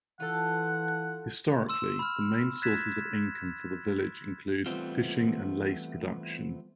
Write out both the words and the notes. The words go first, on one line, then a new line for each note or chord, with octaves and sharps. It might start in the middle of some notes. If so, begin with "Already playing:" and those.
Historically, the main sources of income for the village include fishing and lace production.
E3 F4 A4 F#5
C6 E6 E7
B5 F6
F#6 G#6 A6 B6 E7
E3 G3 A3 B3 C4 F4